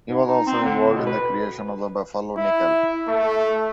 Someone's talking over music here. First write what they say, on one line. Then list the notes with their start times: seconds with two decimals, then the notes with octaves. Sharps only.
He was also involved in the creation of the buffalo nickel.
0.09 G#2
0.27 D#4
0.47 C4
0.64 D3
0.82 A2
0.95 B2
1.06 B4
2.38 E4
3.08 A3